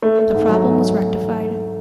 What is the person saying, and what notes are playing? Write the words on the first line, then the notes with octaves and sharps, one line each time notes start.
The problem was rectified.
A3
A3
G#2
F#3
G#2
F#3
F#3